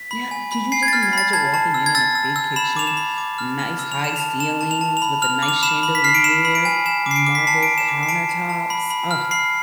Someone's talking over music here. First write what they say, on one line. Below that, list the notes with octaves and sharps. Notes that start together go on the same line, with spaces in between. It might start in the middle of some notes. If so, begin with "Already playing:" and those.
Yeah. Could you just imagine walking in in a big kitchen, nice high ceilings with a nice chandelier, marble countertops? Ugh.
Already playing: B6
B5
G#5
B5
G#5 C7
G#6
F6 A6
G#6
B5 A6
A5 G#6
A5
E6
G#6
E6 A6
E6
E6
B5 E7
D6 F7
E7
B5
D6
F6
F6
E6
F7
A5
E7
A5 F7
A5 E7
A5
F7
A5
F7
B5
F6 F7
D6
F7
B5 E7
B5
B6
F6 C7
D7
B5 E7
B5
D7
G#5
G#5 E7
D6
C7
D7
D6
B6
A5 C7
A5 D7
E7
D6
C7
A5 D7
A5
A5
B5
B5
F6
B5 C7